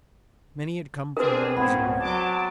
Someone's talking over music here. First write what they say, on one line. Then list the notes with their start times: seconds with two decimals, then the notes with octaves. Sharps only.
Many had come from miles away.
1.17 C4 D4 G#4 A#4 B4
1.56 C#2 G#2 C#3 B3 C4 G#6
2.00 F#3 D5 A5 D6